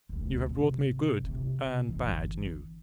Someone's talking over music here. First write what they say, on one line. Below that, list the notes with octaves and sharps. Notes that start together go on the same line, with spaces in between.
You have brought me good and bad news.
E1 D2
G#1 C3
C3
G1 E3